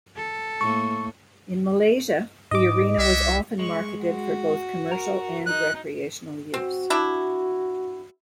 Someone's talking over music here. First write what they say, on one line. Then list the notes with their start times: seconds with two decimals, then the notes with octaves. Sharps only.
In Malaysia, the Arena was often marketed for both commercial and recreational use.
0.16 A4
0.61 A2 A#3 C#6
2.51 G#2 D#5 D6
2.98 C2 F#4 G#4 E5
3.59 G#3 C#6
4.04 F#4
4.91 A#4
5.46 D#4 F#6
6.54 C4 F#4
6.90 D4 E4